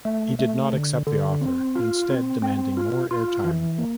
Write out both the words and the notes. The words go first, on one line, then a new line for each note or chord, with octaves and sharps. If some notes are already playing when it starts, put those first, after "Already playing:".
He did not accept the offer, instead demanding more airtime.
A3
A3
D3
D3
C4
F4
C4
C4
F4
F4
E3
A#3